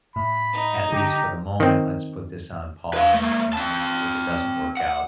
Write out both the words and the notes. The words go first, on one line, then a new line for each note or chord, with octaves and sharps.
at least for the moment, let's put this on pause. And if it doesn't work out,
A2 B5
D#4
D3 G4
D#3 C4
B4 F5
A3 A#3
C4 A5
F#5